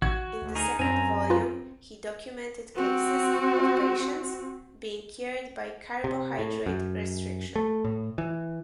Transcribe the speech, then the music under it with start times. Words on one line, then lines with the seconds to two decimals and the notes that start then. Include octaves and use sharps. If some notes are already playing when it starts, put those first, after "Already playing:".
In the second volume he documented cases of patients being cured by carbohydrate restriction.
0.02 A1 F#4 G#6
0.42 D2
0.55 D#4 G#4 A#4
0.79 F#2 C4 G#5 A#5
1.30 F4 B4
2.75 C4 F#4
6.04 C3
6.39 A2
6.66 F#2
7.56 A3
7.85 A2
8.18 E3